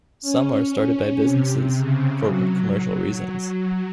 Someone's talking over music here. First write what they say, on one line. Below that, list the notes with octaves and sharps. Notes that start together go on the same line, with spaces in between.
Some are started by businesses, for commercial reasons.
C#4
C3
C#3
F#3